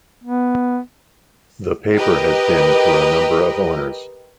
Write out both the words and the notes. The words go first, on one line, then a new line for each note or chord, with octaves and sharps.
The paper has been through a number of owners.
B3
G4 A#4 B4 D#5